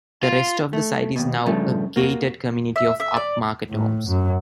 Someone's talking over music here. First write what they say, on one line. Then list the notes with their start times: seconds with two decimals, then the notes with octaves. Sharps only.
The rest of the site is now a gated community of up-market homes.
0.23 F4
0.73 A3
1.16 D#2 B2
1.46 G2 C#3 F3 A3
1.96 A#3 F#4
2.76 E5
3.00 E5
3.16 D5
3.69 A2
4.08 F#2